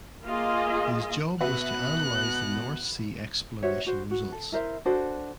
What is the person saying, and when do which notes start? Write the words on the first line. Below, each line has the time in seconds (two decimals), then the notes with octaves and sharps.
His job was to analyse the North Sea exploration results.
0.25 A#3 F4 G#4 D#5
1.41 B2 F#4 B4 E5 F#6
3.63 F#4 C5 C#5 E5
3.86 F#4 C5
4.11 F#4
4.32 A4
4.52 E4 A#4 C5 E5
4.85 D4 F#4 A4 C5